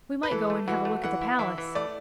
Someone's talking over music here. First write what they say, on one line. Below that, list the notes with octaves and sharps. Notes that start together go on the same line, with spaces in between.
'We might go and have a look at the Palace.'
B4
E3 A4
A3
E3 F#4
A3
E3 F#5
E4
E3 E5
E3
A3 D5